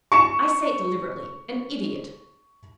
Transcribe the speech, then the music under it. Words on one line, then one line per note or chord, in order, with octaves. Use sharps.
I say it deliberately--an idiot!
C#6 C#7 E7